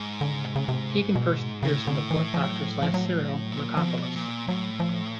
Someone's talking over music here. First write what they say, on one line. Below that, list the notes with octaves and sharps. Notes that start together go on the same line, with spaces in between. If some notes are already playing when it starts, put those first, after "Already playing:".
Tegan first appears in the Fourth Doctor's last serial, "Logopolis".
Already playing: G#2
D3
C#3
C3
C#3
C3
B2
A2 C#3
D3
E3
F3
F#3
F3
F#3
F3
F#3
F3
F#3
F3
F#3
A#2 F3
F#3
C3 F3
B2
A#2
A2 F#3
F3